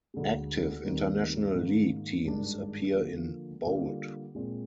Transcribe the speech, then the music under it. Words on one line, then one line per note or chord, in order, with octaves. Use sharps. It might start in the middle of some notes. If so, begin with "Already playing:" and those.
Active International League teams appear in bold.
D2 D3 G#3
D#2 D#3 G3 C4
G#2 D#3 A#3
G#1 G2 D#3 G#3 D4
D3 F3 A#3
D3 G3 A#3 F4
A#2 G#3 C4